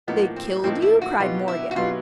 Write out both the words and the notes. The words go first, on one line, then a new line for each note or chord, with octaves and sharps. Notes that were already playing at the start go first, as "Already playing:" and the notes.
"They killed you?" cried Morgan.
A2 F3 A#3 B3 D#4
C4
A2 F3 A#3 C4 D#4
E4
F#4
B2 F#3 B3 D#4 F4 G4
E4
F#4
B2 F#3 B3 D#4 F4 G4